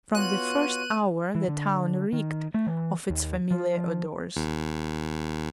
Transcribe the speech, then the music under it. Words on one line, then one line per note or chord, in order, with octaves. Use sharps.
From the first hour the town reeked of its familiar odours.
B3 F4 F#4 C#5 F#6 D#7
E3
D3
D#3
A3
E3
D#2
F3
D#2